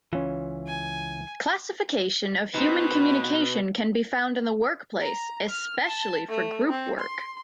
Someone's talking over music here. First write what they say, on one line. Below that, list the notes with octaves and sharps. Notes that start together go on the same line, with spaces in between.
Classification of human communication can be found in the workplace, especially for group work.
C#2 F#2 E3 C#4 F4
G#5
B2 C4 D#4 B4
A#5
F6
A5
A3
C4
C6